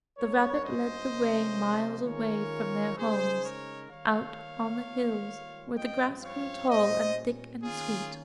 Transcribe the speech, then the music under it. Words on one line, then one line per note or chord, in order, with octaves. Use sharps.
The rabbit led the way miles away from their homes, out on the hills where the grass grew tall and thick and sweet.
G2 G3 C#4 F4 A#4 C#5
C5 D#5
C3 F3 A#3 C#4
D#3 G#3 C#4 F4 A#4 C#5
C#3 G#3 D#4 G#4 C5
A#4 C#5
D#3 G3 A#3 C#5 F5
D#3 G3 A#3 F4
G2 F3 G#3 C4 F4 D#5 G5
C#5 F5
A#2 G3 C#4 C5 D#5
D#3 A#3 C#4 F4 G#4